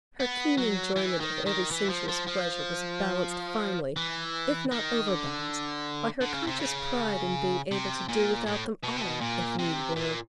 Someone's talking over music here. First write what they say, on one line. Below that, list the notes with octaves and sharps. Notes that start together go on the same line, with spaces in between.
Her keen enjoyment of every sensuous pleasure, was balanced finely, if not overbalanced, by her conscious pride in being able to do without them all, if need were.
B3
F#3
E3
D#3
D#3
E3
F3
F3
F3
E3
D#3
D3
D3
C#3
C3
C#3
C3
A#2
A2
B2
C3
B2
A#2
C3
A#2